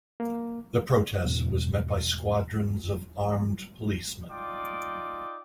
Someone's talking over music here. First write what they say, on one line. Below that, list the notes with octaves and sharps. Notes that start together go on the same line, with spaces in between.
The protest was met by squadrons of armed policemen.
A#3
E2 G#2 B2
D#4 F4 D5 G5 D6 D#6